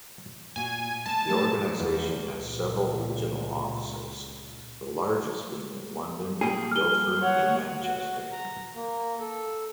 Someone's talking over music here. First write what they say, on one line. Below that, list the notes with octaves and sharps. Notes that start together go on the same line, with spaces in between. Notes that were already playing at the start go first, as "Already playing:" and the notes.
The organisation has several regional offices, the largest being in London, Guildford and Manchester.
A#2 F#4 G#5
B2 G#3 A5
G#3 A3 D4
E2
C#2 A#2
G3 A#3 G#4
F6 G7
C#5 F#5
F#4
A#5
A#3
A4